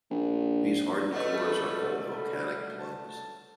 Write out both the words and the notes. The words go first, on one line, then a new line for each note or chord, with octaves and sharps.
These hardened cores are called volcanic plugs.
A#1
D3 E3 F#3 G3 A3 A4 B4 D#5
A5